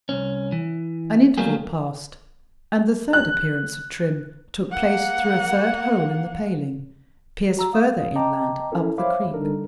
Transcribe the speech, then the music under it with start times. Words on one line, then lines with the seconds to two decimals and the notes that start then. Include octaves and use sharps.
An interval passed, and the third appearance of Trim took place, through a third hole in the paling, pierced further inland up the creek.
0.09 C2 F2 C#4
0.52 E3
1.38 F#3 G3 A3 A#3 G4 G#4
3.13 F#6
4.71 A#3 F#5
7.57 F#4 A#5 E6
7.73 F5 D#6
8.16 D#5 G5 A5 A#5 D6
8.72 C#4 E4 A4 A#4
8.98 C5 C#5 E5 F5 B5 D6
9.34 D3 G3 D4 D#4 A4 A#4